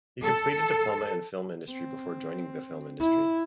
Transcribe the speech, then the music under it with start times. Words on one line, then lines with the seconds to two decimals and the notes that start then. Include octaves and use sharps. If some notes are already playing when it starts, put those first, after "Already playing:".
He completed diploma in film industry before joining the film industry.
0.23 A4
1.70 C4
3.00 E4